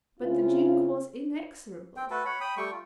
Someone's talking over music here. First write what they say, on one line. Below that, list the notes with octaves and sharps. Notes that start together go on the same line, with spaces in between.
But the Duke was inexorable.
C#3 C4 C#4 E4 F4
C4 G5
A3 F#4 A4 B4
C#5 F#5 B5
G5 B5 D#6
G3 A3 G5 C#6
F4